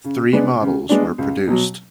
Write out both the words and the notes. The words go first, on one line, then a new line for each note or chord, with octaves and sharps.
Three models were produced.
C#3
G#3 B3 D4
C#3
G#3 B3 D4
C#2
B2 F#3